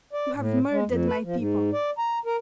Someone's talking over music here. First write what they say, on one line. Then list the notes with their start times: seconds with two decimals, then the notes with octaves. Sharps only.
You have murdered my people!
0.13 D5
0.35 A2
0.71 G#3
0.86 F2
1.07 B4
1.24 F3
1.36 G#2
1.73 D5
1.98 A#5
2.26 A#4